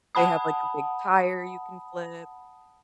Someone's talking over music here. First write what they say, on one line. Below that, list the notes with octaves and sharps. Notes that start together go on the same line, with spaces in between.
They have, like, a big tire you can flip
F#5 A5 B5 D#6